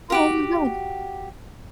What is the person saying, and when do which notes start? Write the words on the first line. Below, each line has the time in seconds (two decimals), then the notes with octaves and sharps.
Oh, my god.
0.10 F#4 G4 A#4